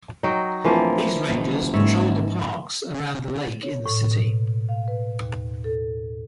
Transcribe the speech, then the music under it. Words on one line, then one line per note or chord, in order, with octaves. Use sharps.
These rangers patrol the parks around the lake in the city.
F#3 D#4 D#5 G5
D1 E3 F3 A#3
F#1 D#3
G#2 C#5 E5
C#5
A2
B2
F5
B4
D#2
A4